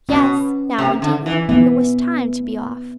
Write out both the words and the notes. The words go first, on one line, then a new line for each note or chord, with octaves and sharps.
Yes, now indeed, it was time to be off.
B2 C#4
C3
D3
E3
E3 B3